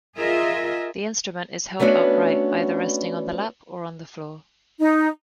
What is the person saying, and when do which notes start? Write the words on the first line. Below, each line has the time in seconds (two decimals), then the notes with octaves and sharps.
The instrument is held upright, either resting on the lap or on the floor.
0.18 F4 G#4 A#4 D#5 E5
1.80 A3 B3 C#4 D4 F#4
4.79 D#4